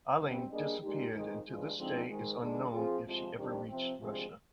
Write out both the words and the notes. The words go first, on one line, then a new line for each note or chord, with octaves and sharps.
Alling disappeared and to this day it is unknown if she ever reached Russia.
D2 C3 G3 C4
G3 A#3 D4 G#4 D#5
A#2 G#3 D#4 G4
F2 D#3 G#3 D#4
G2 F3 G#3
D3 F3 G#3 C4 D#4
G#2 D#3 G#3
D#2 D3 G#3 D4
F3 C4 F4 G#4
F2 C3 F3 G#3
F2 D#3 G3 D4 G4
C3 F3 C4
D2 C3 F3 G#3 C4